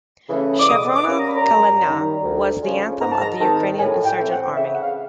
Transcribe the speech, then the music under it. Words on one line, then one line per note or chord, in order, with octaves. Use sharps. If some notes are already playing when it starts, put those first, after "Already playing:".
"Chervona Kalyna" was the anthem of the Ukrainian Insurgent Army.
C#3 E3 A3 C#4
D6
B2 D#6
D6
G3 A#3 C#4
A#5
B5
A#5
F#2
D#3 G3
D2
C#3 F3 G#3 C#4
G#2 A#5
A5
A#5
D#3 G#3 C4 A5
A2 G#5
G5
E3 A3 C4
F#5
C#3 E5
F#5
F5